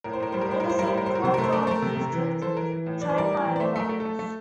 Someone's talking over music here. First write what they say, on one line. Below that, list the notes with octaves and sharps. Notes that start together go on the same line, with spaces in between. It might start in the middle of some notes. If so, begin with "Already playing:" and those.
It is in Chom Thong District, Chiang Mai Province.
A2 A#4
C5
A2 A#4
G3 C5
A#4
A2 C5
A2 A#4
C5
G3 A#4
C5
A2 A#4
A2 C5
A#4
C3 C5
A3 A#4
C5
A3 A#4
C5
A3 A#4
C3
C3
E3
E3
E3 A4 C5
E3 A#4
E3
A2
E3 D5
C5
G3 A#4 D5
A2
E3
D5
A3 C5 E5
A3 A#4
A3
A4
A3
A3